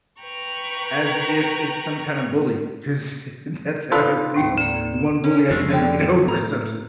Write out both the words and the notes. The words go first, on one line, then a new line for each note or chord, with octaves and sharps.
as if it's some kinda bully 'cause that's how I feel. The one bully I could never get over or something.
B4 G5 A#5 C#6 F#6
C3 D#4 F4 A4 B4
D#2 A2 C4
D3 A#3 E7
C#4
F2 F3 G#3 A3
D3 G5
A2 A#5